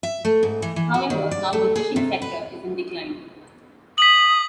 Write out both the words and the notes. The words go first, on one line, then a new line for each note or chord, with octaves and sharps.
However, now the fishing sector is in decline.
E5
A3
G#2
E3
E3
F#4
D#3
D5
A3
G#4
C3
B4
D#6 B6 F#7